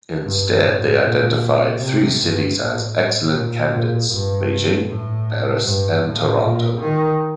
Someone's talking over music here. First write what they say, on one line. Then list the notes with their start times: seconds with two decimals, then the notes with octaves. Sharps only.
Instead, they identified three cities as excellent candidates; Beijing, Paris, and Toronto.
0.24 G2
0.63 A2
1.02 A#2
1.79 C3
2.18 G2
2.56 A2
3.33 A#2
3.72 A#2
4.10 G2
4.88 A2
5.65 G2
6.03 A2
6.42 A#2
6.80 D#3